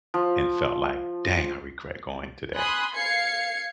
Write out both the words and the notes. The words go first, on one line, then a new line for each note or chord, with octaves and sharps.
and felt like, "Dang, I regret going today."
F3
G#5 B5 C6 D#6 F#6
F5 G#6 C7 C#7